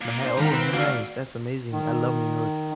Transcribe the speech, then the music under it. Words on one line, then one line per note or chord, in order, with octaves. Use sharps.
Maha Oh, nice, that's amazing. I love New York.
A#2
C#4 D#4 C5
D#3 G3 F5 F#5 A#5
C4 B4
A3 A#3 F#4 D5 F5
D#3